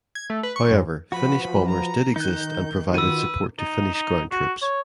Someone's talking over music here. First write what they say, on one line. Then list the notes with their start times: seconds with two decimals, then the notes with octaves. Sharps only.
However Finnish bombers did exist and provided support to Finnish ground troops.
0.15 G#6
0.30 A3
0.43 B4
0.56 C#6
0.71 F#2
1.12 F3 F#4 B4 B5
1.68 A#5
2.16 D#3 D#4 F#6 G6
2.94 F4 F#4 B4 E6 D#7
3.59 D#4
3.94 D#4
4.31 F#4
4.62 C#5